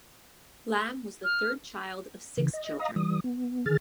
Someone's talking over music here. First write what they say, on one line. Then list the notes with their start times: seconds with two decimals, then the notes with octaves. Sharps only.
Lam was the third child of six children.
1.24 F6
2.38 C#3 E3
2.53 D#5
2.79 D#5 F5 A#5 D#6
2.96 E3 G3 D#6
3.24 B3
3.66 D3 D#3 G#4 F6 A6